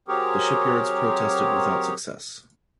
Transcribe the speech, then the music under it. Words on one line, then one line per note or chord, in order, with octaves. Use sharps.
The shipyards protested without success.
F#3 C4 G4 G#4 A#4 C#5